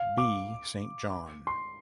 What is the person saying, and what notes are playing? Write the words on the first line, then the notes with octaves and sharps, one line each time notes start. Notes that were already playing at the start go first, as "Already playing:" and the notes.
B. Saint John.
Already playing: F5
D6
C6